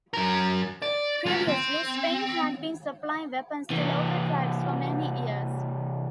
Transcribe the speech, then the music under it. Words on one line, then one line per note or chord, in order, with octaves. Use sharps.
Previously, Spain had been supplying weapons to local tribes for many years.
F#2 A#4
D5
G#3 F4
C4
C3 E3